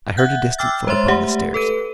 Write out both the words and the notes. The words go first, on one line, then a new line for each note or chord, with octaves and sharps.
I heard a distant foot upon the stairs.
E5 F#5 F#6 G6
G5 D6 E6 F6 A6
G#3 C5 C#5 E5 C6 A6
A3 G4 E5 F#5
A4 B4 D#7